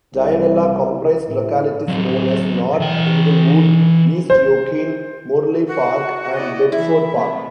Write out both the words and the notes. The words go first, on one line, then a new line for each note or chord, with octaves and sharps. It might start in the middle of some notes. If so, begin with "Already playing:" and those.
Dianella comprised localities known as North Inglewood, East Yokine, Morley Park and Bedford Park.
C2
A2
F#3 C4
E3 G5
C5
F#4
E4 D5 D#5
E3 E4 E5
C3 A3